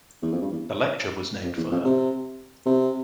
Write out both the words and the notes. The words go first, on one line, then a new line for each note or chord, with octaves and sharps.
A lecture was named for her.
E2
F2
G2
E2
F2
E2
F2
C3
C3